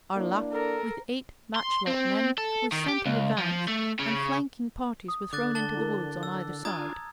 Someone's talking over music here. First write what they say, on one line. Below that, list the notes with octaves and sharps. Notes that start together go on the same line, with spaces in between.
Arlac, with eight matchlock men, was sent in advance, and flanking parties were thrown into the woods on either side.
A#3 D4 E4
A4 A#4
C6
C4
A4
D#3
G4
C#2
F3
A3
C#3
D#6
D3 D6 F#6 A6
A5 A6 G7
E4 A#4
E6
D4 F4 G#5 A#5 D#6 G#6